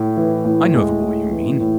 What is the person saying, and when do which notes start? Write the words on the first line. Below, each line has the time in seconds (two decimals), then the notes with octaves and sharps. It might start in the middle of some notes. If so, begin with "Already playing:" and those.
I know the boy you mean.
Already playing: A2
0.17 E3
0.45 A2
0.74 G#3
1.03 A2
1.31 E3
1.60 A2